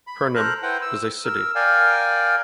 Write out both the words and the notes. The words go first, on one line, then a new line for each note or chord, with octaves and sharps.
Pernem is a city.
B5
A4 A#4 C5 A#5 F#6
E4 B4 C5 F#5 G5
E6
A#4 E6
A#4 D5 F5 G5 G#5